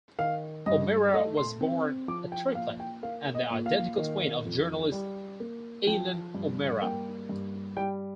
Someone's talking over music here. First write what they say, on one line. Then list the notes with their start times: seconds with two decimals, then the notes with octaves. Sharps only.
O'Meara was born a triplet, and the identical twin of journalist Aileen O'Meara.
0.19 D#3 F5
0.66 G2 D#5
1.13 A3 D#5
1.37 C6
1.61 C4
2.08 F3 D6
2.32 G5
2.55 A#2 F5
2.80 G5
3.03 A#3 F5
3.35 D#5
3.50 A#2
3.66 F5
3.97 D#3
4.45 F2
4.92 G3
5.40 A#3
5.87 F3 G5
6.34 G2
6.82 A#3 G5
7.29 G2
7.77 G3 G5